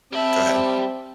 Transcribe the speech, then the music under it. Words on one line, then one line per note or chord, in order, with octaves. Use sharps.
go ahead.
G3 C4 E5 G5 A5 B5